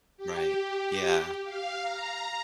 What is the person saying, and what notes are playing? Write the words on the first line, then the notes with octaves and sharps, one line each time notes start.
Right. Yeah.
G4
F5
A#5